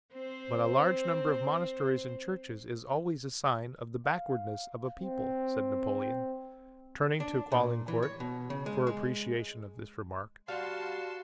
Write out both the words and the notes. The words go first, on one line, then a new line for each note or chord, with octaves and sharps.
"But a large number of monasteries and churches is always a sign of the backwardness of a people," said Napoleon, turning to Caulaincourt for appreciation of this remark.
C4 C5
F5
C4
D4
A#2
E3
C#5
B2
C#3
G#3
G#3
G3 F#4 F5 A5 C6